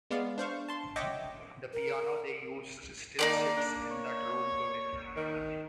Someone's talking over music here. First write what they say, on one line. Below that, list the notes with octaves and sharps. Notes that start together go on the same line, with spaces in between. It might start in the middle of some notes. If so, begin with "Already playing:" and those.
The piano they used still sits in that room today.
G#3 B3 D5 F5
D4 C5 F5 C#6
A5 C6
C#5 D#5 E5 F#5 G5 D6
A#4
D#3 A#3 C#4 D5
D4
C#5
D#3